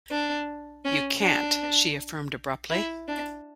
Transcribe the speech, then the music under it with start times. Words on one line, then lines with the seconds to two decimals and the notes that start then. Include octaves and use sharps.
"You can't," she affirmed abruptly.
0.11 D4
0.85 C#4
1.21 D4
2.70 E4
3.08 D4